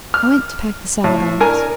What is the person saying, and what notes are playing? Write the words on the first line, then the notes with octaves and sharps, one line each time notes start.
'I went to pack the saddle-bags.
F6
A2
D4 A#4 G#5